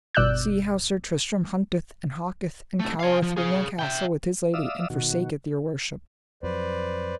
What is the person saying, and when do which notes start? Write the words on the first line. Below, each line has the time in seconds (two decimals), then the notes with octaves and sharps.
See how Sir Tristram hunteth, and hawketh, and cowereth within a castle with his lady, and forsaketh your worship.
0.15 G1 B2 D5 E6 F#6 G6
2.80 C2 A3
3.00 F5 G#5
3.22 F3
3.37 G#4 F5
3.79 E5 G5
4.54 D5 E5 F5 D#6 E6
4.90 B2 D#3 F#4
6.43 F2 F#3 B4 C5 D5